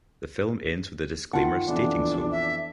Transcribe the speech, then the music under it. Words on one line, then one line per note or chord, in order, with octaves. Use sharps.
The film ends with a disclaimer stating so.
D#3 F4 F#5 A5
F2 E3 B3 D4
E5